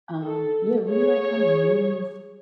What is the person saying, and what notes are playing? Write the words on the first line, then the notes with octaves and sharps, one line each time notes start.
um, yeah, really, like, kind of move
A4
G#4 C#5